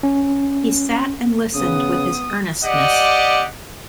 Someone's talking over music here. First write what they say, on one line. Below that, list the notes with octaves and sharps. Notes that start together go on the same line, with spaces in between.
He sat and listened with his earnestness.
C#4
C#3 B3 D#6
G4 D5 D#5 F#5